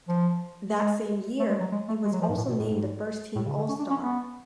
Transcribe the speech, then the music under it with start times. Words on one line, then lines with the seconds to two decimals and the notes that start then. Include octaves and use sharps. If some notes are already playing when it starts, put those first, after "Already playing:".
That same year, he was also named a First Team All-Star.
0.08 F3
0.74 G#3
1.39 A3
1.50 G#3
1.60 F#3
1.72 G#3
1.88 A3
2.04 G#3
2.13 F#3
2.21 F3
2.29 G#2
2.37 A2
2.49 B2
2.59 A2
2.69 G#2
3.36 A2
3.46 C#3
3.57 D3
3.69 C#4
3.79 D4
3.90 C#4
4.01 B3